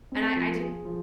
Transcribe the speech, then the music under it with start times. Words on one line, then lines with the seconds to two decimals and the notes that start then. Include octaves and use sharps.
And I I do
0.12 C4
0.36 F3
0.60 G#4
0.85 F3